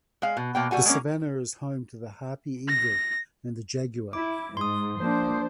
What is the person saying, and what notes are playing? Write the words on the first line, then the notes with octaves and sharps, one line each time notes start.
The savannah is home to the harpy eagle and the jaguar.
G#3 F5
B2
B2 A#3 G5
G3 A3 F#4 G#5
G#3 A#3 C#4
A#6
E4 D6
G#2 C6 D#6
F3 A#3 D4 C5